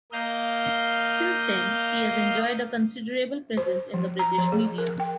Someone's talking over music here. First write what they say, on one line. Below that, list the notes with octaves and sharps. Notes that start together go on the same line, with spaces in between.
Since then, he has enjoyed a considerable presence in the British media.
A#3 D#5 F5 G6
C5
F3
A#5
F3
G#4
A#4
G5